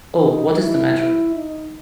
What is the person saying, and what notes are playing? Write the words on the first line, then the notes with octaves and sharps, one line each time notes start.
Oh, what is the matter?
D#4
E4
E4
D#4